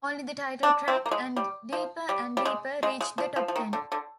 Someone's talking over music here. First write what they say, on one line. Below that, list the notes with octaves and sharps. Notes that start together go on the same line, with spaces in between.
Only the title track and "Deeper and Deeper" reached the top ten.
D4
C4
A#3
G#3
G3
F3
G3
G3
G#3
G#3
G#3
F3
F3
F3
D#3
D3
D3